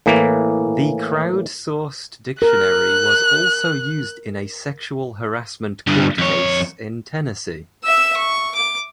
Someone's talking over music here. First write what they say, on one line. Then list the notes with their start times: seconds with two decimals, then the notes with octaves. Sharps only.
The crowd-sourced dictionary was also used in a sexual harassment court case in Tennessee.
0.06 A2 E3 A#3
2.42 A#4 F#6
5.87 G2 D3
6.18 F2 C#5
7.84 E5 E6
8.17 C#6
8.55 D6